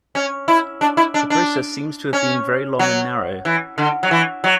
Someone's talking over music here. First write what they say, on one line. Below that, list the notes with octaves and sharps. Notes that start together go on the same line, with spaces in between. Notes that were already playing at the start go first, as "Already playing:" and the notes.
The process seems to have been very long and narrow.
C#4
E4
D4
E4
D4
D4
C#4
F#3
E3
D3
F#3
E3
F#3